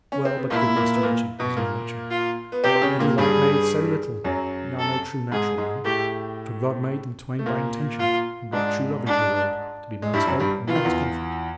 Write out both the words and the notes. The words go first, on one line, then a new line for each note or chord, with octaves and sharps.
"Well, but, good Master Richard," resumed Matcham, "an ye like maids so little, y' are no true natural man; for God made them twain by intention, and brought true love into the world, to be man's hope and woman's comfort."
C#4
C4
B3
A#2 A#3 E4
A#2 A#3
B3
A#2 A#3
B2 B3
A#2 A#3
F4
B3
C3 C4 G4
C4
C#3 C#4
A#2 A#3
G2 G3 G#4
F#2 F#3
A4
G#2 G#3 G#4
G#2 G#3
A2 A3 G4
A3
A#2 A#3
F4
G#2 G#3 D4
D4
G#3
G2 G3 E4
F#2 F#3
G2 G3
E3 F4
D#3
E2 E3